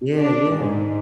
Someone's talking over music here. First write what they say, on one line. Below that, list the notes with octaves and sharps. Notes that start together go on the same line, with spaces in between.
Yeah, yeah.
D4
G#2